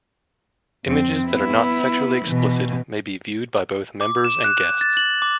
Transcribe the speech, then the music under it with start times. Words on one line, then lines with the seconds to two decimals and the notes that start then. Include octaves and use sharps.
Images that are not sexually explicit may be viewed by both members and guests.
0.85 F2 C4
1.27 B3 E4
2.25 B2 E3
4.01 D6
4.24 E7
4.44 F#6
4.81 A6
4.97 F#7
5.22 D6